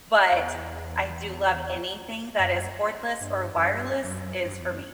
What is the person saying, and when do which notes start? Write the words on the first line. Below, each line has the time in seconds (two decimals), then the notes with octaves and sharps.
but I do love anything that is cordless or wireless, is for me.
0.32 E2
2.39 F#2
3.21 G2
3.56 F#2
3.63 G2
4.04 F#2
4.45 G2
4.53 F#2
4.60 E2
4.67 F#2